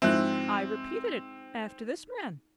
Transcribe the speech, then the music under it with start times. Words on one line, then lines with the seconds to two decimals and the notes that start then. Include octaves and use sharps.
'I repeated it, after this man.'
0.02 G#2 F3 C4 E4 F#6